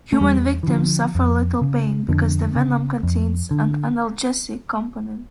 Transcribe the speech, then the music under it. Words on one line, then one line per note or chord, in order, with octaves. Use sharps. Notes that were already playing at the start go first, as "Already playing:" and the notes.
Human victims suffer little pain, because the venom contains an analgesic component.
A3
E2 G3
E3
D3 F3
F2
C#3
F2 D3
C#3
F2
D3